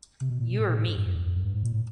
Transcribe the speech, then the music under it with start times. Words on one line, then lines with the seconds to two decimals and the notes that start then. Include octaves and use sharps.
You or me?
0.21 C3
0.30 B2
0.40 A#2
0.49 B2
0.59 A2
0.68 A#2
0.78 A2
0.88 G#2
0.97 G2
1.06 F#2
1.15 F2
1.26 F2
1.35 F#2
1.44 G2
1.54 G#2
1.63 A#2
1.73 A2